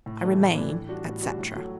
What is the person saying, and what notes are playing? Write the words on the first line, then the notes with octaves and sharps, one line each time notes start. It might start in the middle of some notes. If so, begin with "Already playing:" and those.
I remain, etc.
A2
E3 A3 D4
A2
E3 A3 D4
A2
G3 D4 F#4
A2
G3 D4 F#4
A2
F#3 A3